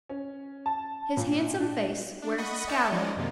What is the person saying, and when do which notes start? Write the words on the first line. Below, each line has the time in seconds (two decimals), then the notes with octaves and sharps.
His handsome face wears a "scowl."
0.10 C#4
0.66 A5
1.17 A#2
1.60 D4
2.22 D4
2.38 D#5 F#5 B5 C#6 D#6
2.67 D5 E5 G5 A5 G6 C#7
2.92 F3 G#3 C#4 D#4 D5 D#5
3.17 F#2 C3 D#3 F3 A#3 F4